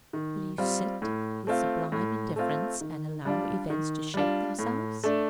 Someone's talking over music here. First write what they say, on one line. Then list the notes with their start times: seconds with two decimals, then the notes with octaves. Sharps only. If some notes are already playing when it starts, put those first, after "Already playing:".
Will you sit with sublime indifference and allow events to shape themselves?
0.13 D#3
0.58 G3 C4 F4
1.02 A2
1.47 A3 C4 F4
1.92 A2
2.36 A3 C4 F4
2.81 D#3
3.25 G3 D4 F4
3.70 D#3
4.14 G3 D4 F4
4.59 A2
5.04 A3 D4